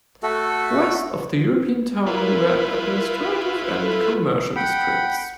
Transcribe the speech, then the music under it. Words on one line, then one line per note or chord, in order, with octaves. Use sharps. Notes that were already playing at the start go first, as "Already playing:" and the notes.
West of the European Town were administrative and commercial districts.
A3 F#4 A4
E4 F4 A#4 B4
A4
F#5 G5 B5